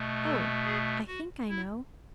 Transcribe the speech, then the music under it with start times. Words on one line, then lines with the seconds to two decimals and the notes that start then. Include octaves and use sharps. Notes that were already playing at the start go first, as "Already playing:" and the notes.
Oh, I think I know.
Already playing: B2 A3
0.23 A4
0.65 G#4
1.07 F#4
1.49 E4